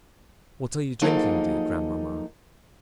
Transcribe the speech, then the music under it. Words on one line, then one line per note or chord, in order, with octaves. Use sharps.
"What are you drinking, dear grandmamma?"
F3 F#3 A#3 D#4 G#4 A4